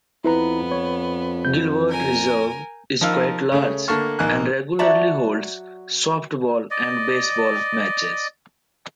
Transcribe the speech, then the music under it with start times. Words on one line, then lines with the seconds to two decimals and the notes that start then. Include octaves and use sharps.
Gilbert Reserve is quite large, and regularly holds softball and baseball matches.
0.25 F2 B3 E4 B4 A#5
0.71 C#5
1.45 G6
1.89 A#4 G#5
3.01 F3 D#4 A#4 F5 E6
3.52 C#3 A3 C#5
3.88 D3 A3 A#3 A5 C#6 F6
4.19 A#1 A#3 D#4 G#5 F#6
4.79 F#3 F#4 D5 E5 A5 A#5
6.71 D5 D#5